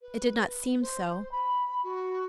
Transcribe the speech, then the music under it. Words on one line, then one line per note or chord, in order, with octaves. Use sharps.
It did not seem so.
B4
C5
B5
F#4